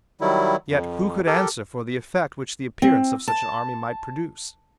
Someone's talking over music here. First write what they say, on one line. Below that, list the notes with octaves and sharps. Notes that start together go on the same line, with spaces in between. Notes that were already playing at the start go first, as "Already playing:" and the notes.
Yet who could answer for the effect which the appearance of such an army might produce?
D#3 F#3 G3 E4
F2
G4 A4 A#4
C4
A5